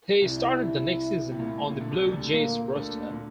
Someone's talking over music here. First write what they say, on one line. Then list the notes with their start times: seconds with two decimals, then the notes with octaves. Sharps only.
He started the next season on the Blue Jays' roster.
0.21 C2 C3 E4
1.32 C3
1.40 A#2
1.48 A2
1.69 A#2
1.81 D3
1.91 C2 C3
2.12 D2 D3
2.33 A#2 A#3
2.75 D2 D3
3.10 A#2